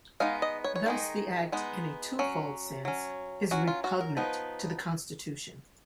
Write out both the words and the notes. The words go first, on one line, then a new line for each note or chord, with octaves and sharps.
Thus the act in a two-fold sense is repugnant to the Constitution.
G#3 B3 D#4 F5
D#5
C#5
C#5
D#3 G#3 D#4
G#3 B3 D#4
F#3 C#4
F#3 C#4
F#3 C#4 F#4
F4
F#4
A#4
F3 B3 D#4 B4